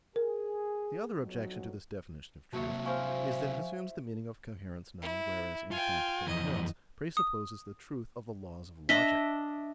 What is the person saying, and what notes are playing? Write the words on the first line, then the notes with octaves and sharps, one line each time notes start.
The other objection to this definition of truth is that it assumes the meaning of 'coherence' known, whereas, in fact, 'coherence' presupposes the truth of the laws of logic.
G#4 A#4
B1 F2 F#3
C3 F#3 A#3 F#4 C#5 E5 A5
E4 C5 F5 G#5 C#6 F6
E4
F4 G5 G#5
F2 E3 D#5
D#6
D4 D#5 E5 B6